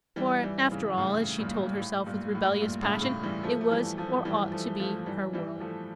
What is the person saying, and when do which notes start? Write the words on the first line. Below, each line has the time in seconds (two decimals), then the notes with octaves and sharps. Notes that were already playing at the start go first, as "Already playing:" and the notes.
For, after all, as she told herself with rebellious passion, it was or ought to be her world.
0.16 E3 G3
0.43 E3 G3
0.71 C#3 E3
0.98 A2 C#3
1.38 G2 A#2
1.79 A2
2.06 G2 A#2
2.35 A2
2.61 G2 A#2
2.82 A2 C#3
3.02 A2 C#3
3.23 E3 G3
3.43 F3 A3
3.61 A3
3.71 E3 G3
3.97 F3 A3
4.25 E3 G3
4.52 F3 A3
4.80 F3 A3
5.06 E3 G3
5.33 E3 G3
5.60 F3 A3